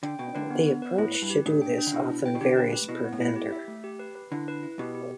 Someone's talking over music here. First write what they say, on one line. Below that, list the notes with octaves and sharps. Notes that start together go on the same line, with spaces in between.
The approach to do this often varies per vendor.
D3 G5
B2 G5
D3 B4
B3
B3
B4
A2 E4
B4
G2
G4
A2 D4
G5
D4
D3
B2 E4
E4
G5
B2
D3 G4
B4
B4
B2 E4
B3
A2
E4
G4
E5
A3
G4
B4
B4
D3 E4
B4
E4
B2 G4
G4